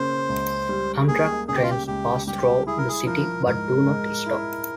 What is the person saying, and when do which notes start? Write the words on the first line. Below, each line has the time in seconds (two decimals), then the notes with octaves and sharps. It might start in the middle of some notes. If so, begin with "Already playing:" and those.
Amtrak trains pass through the city but do not stop.
Already playing: C#3 A#3 C5
0.29 C#2
0.69 G3
1.08 A#3 G#4
1.48 C#3 G#4
1.55 G4
1.63 F4
1.71 G4
1.87 C#2 G4
2.27 G3 G4
2.67 E4 G#4
2.78 A#4
2.89 G#4
3.06 F3 A#4
3.46 G#2 A#4
3.87 G#3
4.26 E4